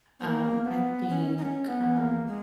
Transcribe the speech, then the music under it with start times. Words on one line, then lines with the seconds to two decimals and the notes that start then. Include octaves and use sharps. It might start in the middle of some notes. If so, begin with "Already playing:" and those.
Um, I think, um,
0.20 B3
0.24 A#3
0.64 B3
1.09 C#4
1.38 D#4
1.42 C#4
1.68 B3
1.97 A#3
2.27 G#3